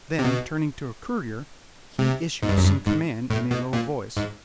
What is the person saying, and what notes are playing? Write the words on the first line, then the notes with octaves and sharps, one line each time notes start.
Then, turning to a courtier, he issued some command in a low voice.
C3
B2
C3
G#2
G2
F#2
G2
G#2
A2
B2
A#2
G#2